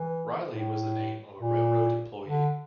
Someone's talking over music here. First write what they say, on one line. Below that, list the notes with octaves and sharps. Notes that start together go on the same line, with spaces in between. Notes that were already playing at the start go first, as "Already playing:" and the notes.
Riley was the name of a railroad employee.
Already playing: E3
A2
A#2
D3